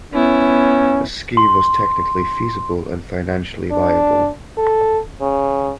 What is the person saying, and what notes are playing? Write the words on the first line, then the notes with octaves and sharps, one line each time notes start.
The scheme was technically feasible and financially viable.
B3 C#4 E4
C6
D4
A4
C#3